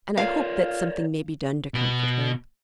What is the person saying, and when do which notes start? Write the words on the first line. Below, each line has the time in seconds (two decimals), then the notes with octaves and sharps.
And I hope that something may be done to comfort her.
0.17 F4 A#4 C#5 D5 F5
1.74 B2 B3